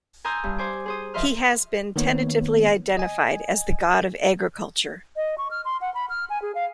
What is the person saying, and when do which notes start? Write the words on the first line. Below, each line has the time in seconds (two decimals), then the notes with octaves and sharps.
He has been tentatively identified as the god of agriculture.
0.25 G#5 A#5 C6 D#6 E6 G6
0.44 G2
0.58 C5 G#5 D6
0.86 G#4 C5 D#6
1.14 F3 D#5 E5 C6 F6
1.96 D#3 A#3 B3 C#5
2.97 D#5 G#5
5.16 D#5
5.38 C#6
5.51 F6
5.65 C6
5.81 F#5
5.94 B5
6.10 F6
6.30 G#5
6.42 G#4
6.55 F5